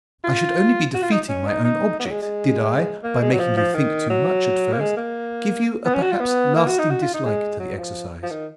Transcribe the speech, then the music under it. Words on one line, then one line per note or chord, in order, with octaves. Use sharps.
I should only be defeating my own object did I, by making you think too much at first, give you a perhaps, lasting dislike to the exercise.
F4
F#4
F4
D#4
C#4
D#4
D#4
B3
F#3
G#3
G#3
A#3
G#3
F#3
F3
F3
D#3
F#3
A#3
G#3
A#3
B3
C#4
F#4
F4
B3
A#3
F#4
D#4
F#4
F4
D#4
G#3
F#3
F3
F3
D#3